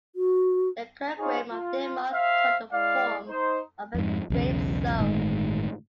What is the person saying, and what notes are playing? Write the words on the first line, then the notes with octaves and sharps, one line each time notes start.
The Kirkegrim of Denmark took the form of a 'grave-sow'.
F#4
D#4 F4 G#4 C5 C#5
F4
C5 E5 F5
G#3 E4 D5 F5
D#4 C5
F2 G#2
B1 E2 C#3
G1 A2 D#3 G#3